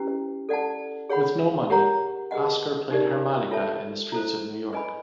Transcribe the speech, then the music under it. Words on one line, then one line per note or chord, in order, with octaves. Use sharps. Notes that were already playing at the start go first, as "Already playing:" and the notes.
With no money, Oskar played harmonica in the streets of New York.
Already playing: C#4 E4 G4 B4
A4 D5 F#5 A5
G#4 C#5 F#5 B5
G4 A#4 C#5 F#5 A#5
G#4 B4 D#5 F#5
D#4 G4 A#4 D5
F4 A4 C#5 E5 A5
E4 A4 C5
B4 D#5 G#5 B5